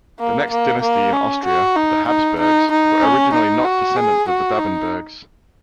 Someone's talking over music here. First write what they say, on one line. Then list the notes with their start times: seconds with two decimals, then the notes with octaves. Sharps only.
The next dynasty in Austria-the Habsburgs-were originally not descendants of the Babenbergs.
0.19 A#3
0.50 A#3
0.82 A#3
1.13 C#4
1.45 F#4
1.76 D#4
2.08 D#4
2.40 D#4
2.71 D#4
3.03 C#4
3.34 D#4
3.65 F#4
3.96 G#4
4.28 F#4
4.59 D#4